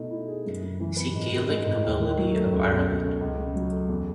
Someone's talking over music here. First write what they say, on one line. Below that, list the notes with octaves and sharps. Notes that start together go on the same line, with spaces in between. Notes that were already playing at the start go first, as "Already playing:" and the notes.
See Gaelic nobility of Ireland.
Already playing: B2 A3 D#4
E4
G#4
F#2
C#3
E3
B3
G#2
D#3
G#3
G#2
D#2
D#3
F#3
A3
C#2
B2
A3
C#4
C#2
C#3
F#3
A3
E2